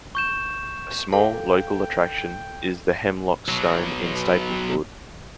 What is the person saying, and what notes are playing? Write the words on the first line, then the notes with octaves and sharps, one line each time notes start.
A small local attraction is the Hemlock Stone in Stapleford.
C#6 G6 E7
A4 F5 G5
B2 F#3